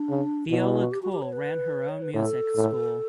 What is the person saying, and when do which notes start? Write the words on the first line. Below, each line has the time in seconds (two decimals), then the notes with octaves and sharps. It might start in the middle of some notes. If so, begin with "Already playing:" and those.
Viola Cole ran her own music school.
Already playing: D4
0.09 C#3
0.50 B2 E4
0.83 F#4
0.92 G4
1.03 F#4
1.12 G4
1.22 C#5
1.33 B4
1.89 C#5
2.02 B4
2.14 A2 A4
2.56 A2